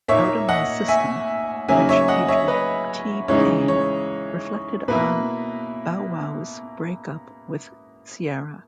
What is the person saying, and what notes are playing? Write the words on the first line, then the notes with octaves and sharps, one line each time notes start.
"Outta My System", which featured T-Pain, reflected on Bow Wow's break-up with Ciara.
A#2 A#3 D#4 C#5 E5
D#5 F#5
E5 G#5
C#3 F#3 A#3 D#4 E5 G#5
C#5 E5
D#5 F#5
C#5 E5
B4 D#5
C#3 E3 G#3 D#4 C#5
C#5
B2 A#3 E4 B4